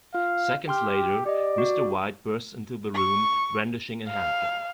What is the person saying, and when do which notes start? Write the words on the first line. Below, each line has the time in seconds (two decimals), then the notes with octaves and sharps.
Seconds later, Mr. White bursts into the room brandishing a handgun.
0.15 F4 F5
0.68 G4 G5 C6 F6
1.26 G4 D5 D#5
1.58 F#4
2.94 C#6
4.10 F5